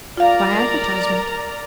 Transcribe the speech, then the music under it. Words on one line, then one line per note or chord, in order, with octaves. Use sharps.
"By advertisement."
F4 A#4 D5 F5 A#5